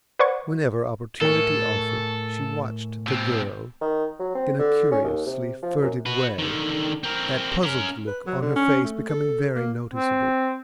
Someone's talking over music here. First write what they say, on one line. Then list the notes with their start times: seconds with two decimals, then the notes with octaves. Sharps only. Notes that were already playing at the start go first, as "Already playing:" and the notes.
Whenever opportunity offered, she watched the girl in a curiously furtive way, that puzzled look on her face becoming very noticeable.
0.19 B4 C5 D5 F#5 C#6 G#6
1.21 A2 A4 A#4 C#5 G#5
3.07 B2 C4
3.81 D#3
4.19 F#3
4.35 C4
4.59 D3
4.91 C#4
5.04 D#2
5.26 C3
5.62 F3
5.81 F#2
6.06 F#4 B4
6.38 D3 D#3
7.03 C4 A#4
7.63 C#4 A#4
8.07 B4
8.27 F#3
8.42 D3
8.56 C#4
8.84 A3
9.09 A4
9.56 A#3
9.94 C4